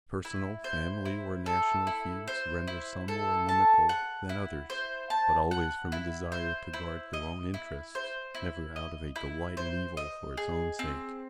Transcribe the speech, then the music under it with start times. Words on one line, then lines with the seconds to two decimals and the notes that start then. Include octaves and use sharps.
Personal, family, or national feuds render some more inimical than others, but always from a desire to guard their own interests, never out of a delight in evil for its own sake.
0.25 E4
0.64 C5
1.05 E4
1.46 A4
1.87 E4
2.27 C5
2.67 E4
3.08 A4
3.49 A5
3.89 F#5
4.29 E4
4.70 C5
5.10 A5
5.51 F#5
5.92 E4
6.32 C5
6.74 E4
7.14 D#5
7.54 E4
7.95 C5
8.35 E4
8.76 D#5
9.16 E4
9.57 C5
9.97 D#5
10.37 G#4
10.79 C4